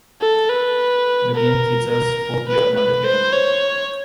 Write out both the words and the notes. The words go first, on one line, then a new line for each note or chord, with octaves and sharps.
The game features four-player multiplayer.
A4
B4
A#4
A#4
B4
B4
C5
C#5